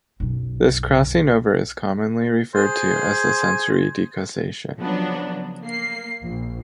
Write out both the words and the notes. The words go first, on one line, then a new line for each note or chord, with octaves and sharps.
This crossing over is commonly referred to as the sensory decussation.
B1 F#2
G#4 C5
C#3 F3 F#3 B3 D4
A#3 C7
A#1